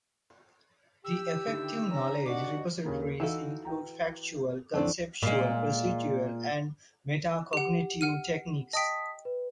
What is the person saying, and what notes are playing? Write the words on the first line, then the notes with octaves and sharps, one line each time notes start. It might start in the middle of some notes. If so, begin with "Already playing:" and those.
The effective knowledge repositories include factual, conceptual, procedural and meta-cognitive techniques.
G4 E6
D3 D#3 E4
C#4 A#5
D#2 D4 F#4 D#5 F#5 D6
D#2 C#3 A#3
E3 D#4 F#4 A4 F5
B4 G5 A#5
F2 A2 D3 A3 C4 D4
A#2 G#3
G4 F#5
F#5 F6 D#7
D#5 G5 A5 D#6 B6
B4